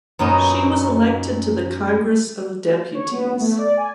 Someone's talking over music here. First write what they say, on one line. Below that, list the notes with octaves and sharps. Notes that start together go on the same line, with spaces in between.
She was elected to the Congress of Deputies.
F#2 A#2 F#3 B3 D#4 D#5
C#5
B3
A3
D5
G#5